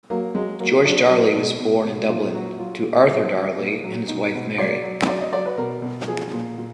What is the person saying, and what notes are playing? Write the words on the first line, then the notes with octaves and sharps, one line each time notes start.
George Darley was born in Dublin, to Arthur Darley and his wife Mary.
F#3 A#3
F#3 G#3
F#3 A#3
F#3 D4
F#3
B2
B2
B2
A#2 F4
F#3 F#4
F#3 F4
A#2
F#3
F#3
A#2
F#3
B2 D#4
B2
F#3 D5
F#3
F#3 D5
D#5
F#3 D5
B4
B2 A#4
B2
F3 G#4
A#2
A#2